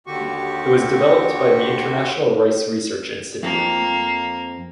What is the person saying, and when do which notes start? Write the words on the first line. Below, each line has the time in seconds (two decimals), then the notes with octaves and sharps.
It was developed by the International Rice Research Institute.
0.07 D#2 D3 D#3 F#4 G4 C#6
3.43 F2 A#3